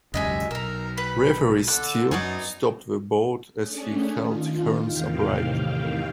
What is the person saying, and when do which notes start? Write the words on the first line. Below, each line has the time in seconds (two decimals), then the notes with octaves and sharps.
Referee Steele stopped the bout as he held Hearns upright.
0.14 E1 C#2 F#2 G3 G#3 D#5 E5 G#5
0.51 B1 A#4 A#5 E6
0.98 B4 G5 B5
1.67 D3 A4 D6 E6 F#6
2.11 F#2 B3 D#4 G#4 C#5 D5
3.60 A3 C#4 D4 G#4
4.11 D#3 F4
4.79 E2 A2 C3 D#3 F5 G5